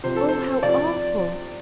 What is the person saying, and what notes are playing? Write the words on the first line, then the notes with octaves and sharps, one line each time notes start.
Oh, how awful!
C3 F3 C5
A4
C5
C3 F3 D5